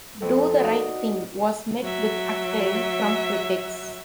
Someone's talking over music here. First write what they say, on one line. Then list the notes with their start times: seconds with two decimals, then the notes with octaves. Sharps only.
"Do the Right Thing" was met with acclaim from critics.
0.22 F2 B3 A4
0.59 D#4 F#4 D5
1.82 F#3 E5